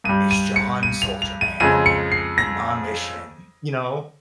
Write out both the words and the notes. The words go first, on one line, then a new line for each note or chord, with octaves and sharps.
is John Soldier Man and my mission" you know,
G2 G3 D#7
D#7
C#7
D#7
F7
F7
D#7
F2 C#3 G#3 D#7
C#7
C7
A#6